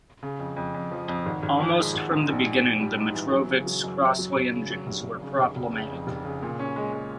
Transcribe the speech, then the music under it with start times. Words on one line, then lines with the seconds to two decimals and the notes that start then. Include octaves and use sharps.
Almost from the beginning the Metrovick's Crossley engines were problematic.
0.23 C#3
0.39 F2
0.57 F2
0.74 F2
0.91 F3
1.08 F2
1.26 G#1
1.43 G#1
1.60 F3
1.77 G#3
1.94 G#1
2.11 G#2
2.28 A#1
2.45 A#1
2.63 A#1
2.80 G3
2.97 G#2
3.15 E3
3.32 F#3
3.50 C#3
3.66 F#3
3.84 F#2
4.01 F#3
4.19 F#3
4.36 F1
4.53 C#3
4.70 F#3
4.87 F1
5.04 F1
5.22 C#3
5.39 F1
5.56 F1
5.73 C#3
5.90 F2
6.07 F1
6.25 C#3
6.42 A#2
6.59 C#4
6.76 G#3
6.93 G#3